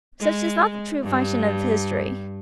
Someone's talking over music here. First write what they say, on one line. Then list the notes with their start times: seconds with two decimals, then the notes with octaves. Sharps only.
Such is not the true function of history.
0.20 G#3
1.03 G2